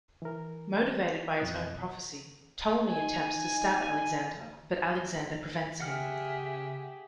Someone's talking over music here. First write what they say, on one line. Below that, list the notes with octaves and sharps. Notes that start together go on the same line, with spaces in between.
Motivated by his own prophecy, Ptolemy attempts to stab Alexander, but Alexander prevents him.
E3 A#4
F2 B2 D#5 F#6
D#4 G#5
C#3 G4 G#4 E5 F#5 F6